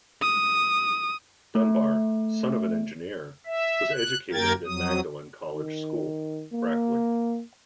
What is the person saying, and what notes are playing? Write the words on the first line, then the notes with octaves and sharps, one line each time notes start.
Dunbar, son of an engineer, was educated at Magdalen College School, Brackley.
D#6
A3
E5
F#6
F#2 A#3 A#4 G5 G#6 A6
F2 F#3 D#6
D#3
A#3